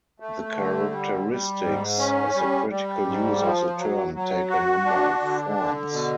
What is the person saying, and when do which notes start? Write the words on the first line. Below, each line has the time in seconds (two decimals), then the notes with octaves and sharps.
The characteristics of the critical use of the term take a number of forms.
0.20 A3
0.56 D3
0.91 G3
1.28 G3
1.63 G#2
1.98 C#4
2.35 G3
2.70 G3
3.06 G#2
3.42 F3
3.78 F#3
4.14 F#3
4.49 F#4
4.85 D4
5.22 D3
5.57 D3
5.92 B2